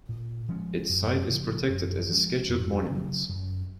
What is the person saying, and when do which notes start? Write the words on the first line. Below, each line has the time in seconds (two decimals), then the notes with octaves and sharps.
Its site is protected as a Scheduled monument.
0.09 A#2
0.48 F3 G#3 C#4
0.89 F#2
1.30 C#3 F3
1.69 F#2
2.09 F3 G#3 C#4
2.49 F2
2.90 C#3 F#3
3.29 F#2